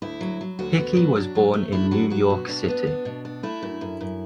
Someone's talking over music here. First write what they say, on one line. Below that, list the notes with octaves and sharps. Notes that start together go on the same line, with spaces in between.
Hickey was born in New York City.
D2 E4
F#3
F#3
D2 F#4
B3
F#3
D4
F#3
A3
D4 E4
F#3 F#4
F#3 F#4
B2
D4
B3
D4
B2
D4
A3 E4
F#2
F#2
F#2